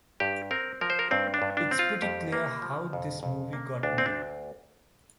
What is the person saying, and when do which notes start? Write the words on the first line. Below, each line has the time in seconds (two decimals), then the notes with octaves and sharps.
It's pretty clear how this movie got made.
0.20 G2 G4
0.51 C4 A#4
0.81 F3 A#4
0.90 C5
0.99 A#4
1.11 G2 C4
1.34 D4
1.42 G2
1.57 D4
1.71 C4
1.79 F4
2.02 F2 G4
2.32 A#3
2.62 F3
2.93 F2
3.23 F2
3.53 A#3
3.83 D2 D4
3.98 C4
4.06 D4